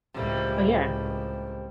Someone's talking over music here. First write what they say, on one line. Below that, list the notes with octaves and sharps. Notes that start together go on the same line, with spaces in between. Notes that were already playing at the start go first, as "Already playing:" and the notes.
Oh yeah.
C#2 A2 C3 G3 A#3